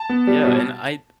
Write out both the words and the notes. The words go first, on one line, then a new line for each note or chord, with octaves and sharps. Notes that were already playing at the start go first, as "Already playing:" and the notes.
Yeah, and I
Already playing: A5
B3
G3
B2